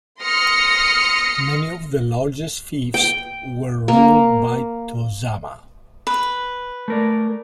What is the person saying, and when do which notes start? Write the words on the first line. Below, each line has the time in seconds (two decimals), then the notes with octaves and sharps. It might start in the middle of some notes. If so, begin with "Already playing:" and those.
Many of the largest fiefs were ruled by "tozama".
0.22 C6 D#6 F6 A#6 C#7
2.94 G5
3.88 A#3
6.07 B4
6.88 A3 A#4 D5